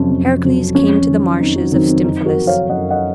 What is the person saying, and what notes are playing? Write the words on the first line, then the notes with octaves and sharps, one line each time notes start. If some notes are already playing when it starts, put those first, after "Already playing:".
Heracles came to the marshes of Stymphalus.
Already playing: F2 C3 F#3 C#4
F2
C3 F#3
F2 C#4
D#3 F#3
F2 C4 D#4
D#4 F#4
D#3 F#3 C4 D#4
C4 D#4
F#2 C4 D#4
F#4 A#4
F3
C#5 F5
F#2 D#5 F#5
D#5 F#5